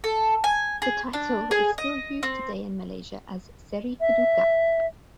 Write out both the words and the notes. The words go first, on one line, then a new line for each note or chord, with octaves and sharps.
The title is still used today in Malaysia as "Seri Paduka".
A4
G#5
G#4
D4
G#4
D#5
C4
E5